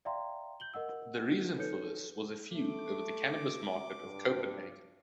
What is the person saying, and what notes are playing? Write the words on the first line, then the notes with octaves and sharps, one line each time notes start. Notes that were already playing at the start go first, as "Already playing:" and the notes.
The reason for this was a feud over the cannabis market of Copenhagen.
D5 E5 F5 G5 A#5 C6
G6 F#7 G7
A#4 D#5 F#5 E6
D#4 A4 B4 C#5 G6 C#7
A3 D6
G2